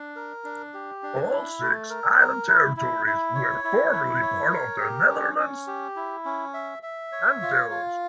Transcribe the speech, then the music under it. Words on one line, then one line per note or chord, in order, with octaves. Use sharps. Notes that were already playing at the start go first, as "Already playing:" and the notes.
All six island territories were formerly part of the Netherlands Antilles.
Already playing: D4
A#4
D4
G4
D4
E4
A3
A#4
A#4
E4
E4
E4
C#5
E4
E4
C#5
A#4
G4
C#4
C#4
G4
E4
C#4
E5
E5
C#5
F4
F4